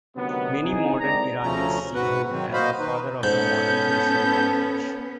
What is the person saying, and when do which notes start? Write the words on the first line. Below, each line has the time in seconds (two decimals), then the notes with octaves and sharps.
Many modern Iranians see him as the father of the modern Persian language.
0.16 D2 C3 D#3 F#3 B3
0.63 C4 D#4 E4 G#4
1.00 G#1 A2 D5 A#5
1.43 D2 C#3 F3 A3 C#4 A#5
1.95 G#2 F#4 B4 F#5
2.30 D#3 F#3 C4
2.53 A#2 F#4 C5 D#5 F5 B5
2.80 D#3 D#4 B4
3.23 G#2 B3 C#4 A4 G6